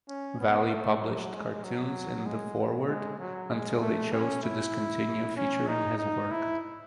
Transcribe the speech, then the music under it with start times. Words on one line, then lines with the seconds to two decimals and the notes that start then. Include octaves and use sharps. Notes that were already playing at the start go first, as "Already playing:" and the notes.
Valley published cartoons in "The Forward" until they chose to discontinue featuring his work.
0.08 C#4
0.40 B3
0.71 A3
1.01 F#3
1.33 G#3
1.64 F#3
2.26 G#3
2.88 G#3
3.19 F#3
3.50 G#3
3.81 A3
4.12 C#4
4.43 E4
5.36 C#4
5.68 D#4
5.99 D#4
6.31 E4